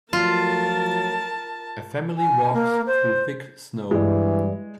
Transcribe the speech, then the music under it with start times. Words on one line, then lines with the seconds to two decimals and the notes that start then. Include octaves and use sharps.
A family walks through thick snow.
0.13 F3 F#3 A3 F4 A#4 A5
2.17 G#5
2.53 A#3
2.87 C5
3.91 G2 E3 G#3 E4 G4 D5